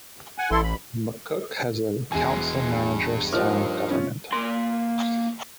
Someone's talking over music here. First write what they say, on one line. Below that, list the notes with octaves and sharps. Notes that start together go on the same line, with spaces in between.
McCook has a council-manager style government.
F#5 G#5
A1 E4 A4 C6
B5
E1 E3 G#3 G#5
G2
D#2 F3 F6
C#4 F4
A#3 C6